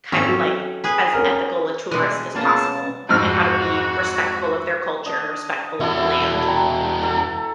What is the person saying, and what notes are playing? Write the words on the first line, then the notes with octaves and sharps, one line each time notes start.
kind of, like, as ethical a tourist as possible, and how to be respectful of their culture and respectful of the land.
G#1 C#4 G4 A4
F#3
G#4 B4
C#4 A#4
B2 E3 G3 G#3 D4
A#3 B3 C#4 F4 G#4 A5
F2 G#2 F#4 F6
D4 D#5
E2 E4 F#4 A4
G5 A#5
A4 A#5